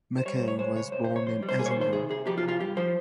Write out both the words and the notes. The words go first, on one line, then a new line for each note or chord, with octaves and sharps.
Mackay was born in Edinburgh.
C5
G3 C#5
C5
C2
C#5
G#3 C5
C#3 C#5
C3 C5
C5
C3
C#5
F2 C5
G3
C5
A#3 G#4
C#5
C5
D#3
C5
C3 G#4
C3 G#4
F3 G4
F4
C3
F4
G2 G4
F3 C5